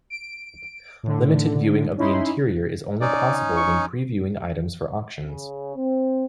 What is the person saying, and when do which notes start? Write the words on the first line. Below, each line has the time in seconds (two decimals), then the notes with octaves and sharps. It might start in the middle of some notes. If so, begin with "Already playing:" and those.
Limited viewing of the interior is only possible when previewing items for auctions.
0.10 D7
1.03 A2 D3
1.98 C#4 D#4 E4 B5 C6
3.01 C#4 D#4 D5
3.57 C#6
5.24 C#3
5.76 C4